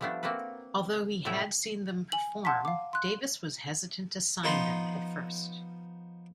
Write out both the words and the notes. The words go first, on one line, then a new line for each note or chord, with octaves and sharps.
Although he had seen them perform, Davis was hesitant to sign them at first.
F3 G3 A3 B3 D4
A#3 C4 F#4 A4 B4
A2 C3 F#3 A3 E4 E5
G#5 F#7
F#5 A5 C6 B6
F5 D6
C6 F#6
F3 B3 D#4 B4 C6